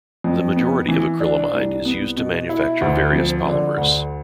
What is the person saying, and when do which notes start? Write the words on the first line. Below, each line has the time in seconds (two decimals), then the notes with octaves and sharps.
The majority of acrylamide is used to manufacture various polymers.
0.24 F2
0.56 B3
0.88 E3
1.20 D4
1.54 C2
1.85 B3
2.17 B2
2.49 E4
2.81 D2
3.13 F3
3.45 D3
3.77 D2